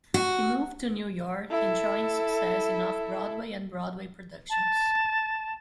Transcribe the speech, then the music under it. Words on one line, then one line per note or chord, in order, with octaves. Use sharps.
He moved to New York, enjoying success in Off Broadway and Broadway productions.
F#4
E4 A4
A5